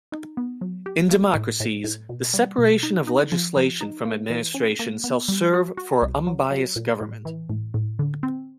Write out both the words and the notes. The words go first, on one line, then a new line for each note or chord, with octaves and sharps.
In democracies, the separation of legislation from administration shall serve for unbiased government.
D#4
B3
F#3
G4
A#3
A2
A2
A2
B2
G3
B2
D#4
D#4
F3
F3
D#4
A#3
E3
C#4
A#3
B3
G3
F#4
F#4
C2
F#3
F#3
A#2
A2
E3
A2
A2
D3
C4